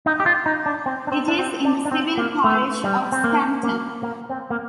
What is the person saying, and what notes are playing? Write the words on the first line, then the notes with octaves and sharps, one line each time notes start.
It is in the civil parish of Scampton.
D#4
G4
F4
D#4
D4
C4
D4
C4
D4
C4
D4
D4
C4
A#3
A3
G3
C4
A#3
A#3
A#3
C4
A#3